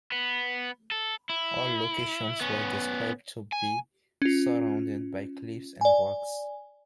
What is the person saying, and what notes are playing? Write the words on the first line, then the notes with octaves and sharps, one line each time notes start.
All locations were described to be surrounded by cliffs and rocks.
B3
A4
E4
B3 C#4
G#5
C#4 F4
D5 G#5